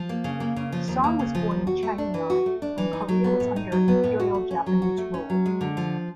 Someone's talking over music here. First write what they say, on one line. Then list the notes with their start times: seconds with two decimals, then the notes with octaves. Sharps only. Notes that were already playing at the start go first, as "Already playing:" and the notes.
Song was born in Changnyeong when Korea was under Imperial Japanese rule.
Already playing: F3
0.09 A#3
0.24 C#3
0.40 A#3
0.56 C#3
0.72 F3
0.88 D#2
1.04 A#3
1.19 C#3
1.35 F3
1.51 D#2
1.67 F#4
1.83 A3
1.98 D4
2.14 E3
2.30 F#4
2.46 A3
2.62 D4
2.78 E3
2.93 D#4
3.09 F#3
3.24 B3
3.40 A2
3.56 D#4
3.72 F#3
3.88 B3
4.03 A2
4.20 F#4
4.34 A3
4.51 C#4
4.66 F#3
4.82 F#4
4.98 A3
5.14 C#4
5.30 F#3
5.46 G#3
5.61 D3
5.77 F3